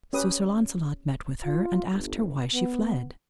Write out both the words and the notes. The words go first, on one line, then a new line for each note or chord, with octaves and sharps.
So Sir Launcelot met with her and asked her why she fled.
C#4 G4 B4 D#6
F4
G1
B3